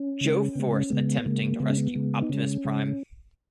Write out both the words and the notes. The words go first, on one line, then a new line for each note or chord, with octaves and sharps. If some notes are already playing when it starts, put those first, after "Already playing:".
Joe force attempting to rescue Optimus Prime.
Already playing: C#4
C#3 G#3
C#3 G#3 B3
C#4
C#3 G#3 B3
C#3 G#3 A#3
C#3 G#3 B3
C#4
B3
C#3 G#3
D#4
C#3 G#3 C#4
C#3 G#3